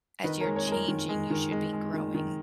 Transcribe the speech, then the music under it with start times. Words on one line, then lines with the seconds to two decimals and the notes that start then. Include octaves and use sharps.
as you're changing, you should be growing
0.24 D#3 B4 D#5
0.40 A#4 C#5
0.46 G#3
0.56 A#4 C#5
0.67 G#3
0.72 A#4 C#5
0.88 D#3
1.09 G#3
1.30 D#3
1.51 G#3
1.73 G#3
1.93 D#3
2.14 D#3